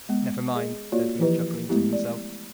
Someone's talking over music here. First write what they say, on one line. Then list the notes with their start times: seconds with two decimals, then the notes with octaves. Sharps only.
"Never mind," said he, chuckling to himself.
0.09 G#3 B3
0.54 G#4 D#5
0.92 A#3 F4 F#4 C#5 D5
1.19 E3 F3 E4 G4 B4 D#5
1.69 G#3 A3 B3 E4 G4
1.93 D5